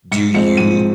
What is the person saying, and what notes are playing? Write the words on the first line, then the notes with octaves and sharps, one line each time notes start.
do you
G#2 C#7
F3 G#3 C4 C#7
G#2 D#7